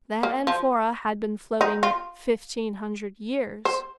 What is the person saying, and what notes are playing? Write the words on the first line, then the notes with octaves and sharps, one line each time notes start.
That amphora had been floating fifteen hundred years.
A#3
F3
D#4
F4
C5